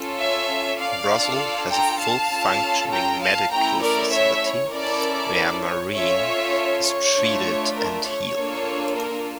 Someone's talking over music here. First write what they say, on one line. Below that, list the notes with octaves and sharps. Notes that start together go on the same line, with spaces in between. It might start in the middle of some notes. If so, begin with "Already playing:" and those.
Her brothel has a fully functioning medical facility, where Maureen is treated and healed.
Already playing: C#4 F4 A4
C#5 E5
D5 F5
D4 F4 A4
G5 A#5
F5 A5
C#4 F4 A4
G5 A#5
F5 A5
A3 C#4 E4 G5 A#5
A#4 D5
C#5 E5
C#5
C#4 E4 A4 A#4 D5
C#5
C#4 F4 A4 C#5 E5
C#5
A3 D4 F4
A#4
C#5
A#3 D4 F4 A4
A#4